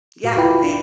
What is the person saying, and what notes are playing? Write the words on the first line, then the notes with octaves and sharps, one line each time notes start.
Yeah, they
A2 F#4 F5 D6
C#2 E4 F4 B4 G5 B5
D4